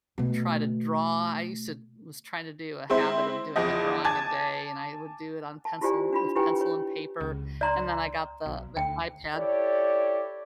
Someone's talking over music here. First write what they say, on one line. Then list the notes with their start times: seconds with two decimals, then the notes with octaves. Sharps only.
try to draw. I used to was trying to do a habit of doing a drawing a day, and I would do it on pencil with pencil and paper, and then I got the the iPad
0.18 B2 A3
2.90 G#3 C4 E4 C5
3.56 E2 E3 F3 D#5
4.04 G#5 A5 D6 G#6 A6
5.65 A5
5.81 E4 F4 G4 C5 D5 G#5
6.13 D4 F4 B5
6.35 E4 G4 B4 C#5 G5 G#5
6.61 C#5
7.20 C#2
7.61 D5 A#5 C6
8.46 B1
8.77 D2 G5
9.35 E4 G4 A4 C#5 D5